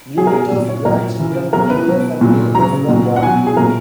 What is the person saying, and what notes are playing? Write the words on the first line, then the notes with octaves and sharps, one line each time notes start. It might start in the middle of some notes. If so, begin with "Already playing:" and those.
Numitor's grandchildren Romulus and Remus were born.
B2 F#3 G#4
A#4
G#4
A#2 F#3
C#5
A#2 F#3 A#4
C#3 E3
B2 F#3 A#4
B4
B2 F#3
A#2 F#3
C#3 F#3 A#5
A#2 F#3
F#5
B2 F#3 G#5
G#4
A#2 F#3 A#4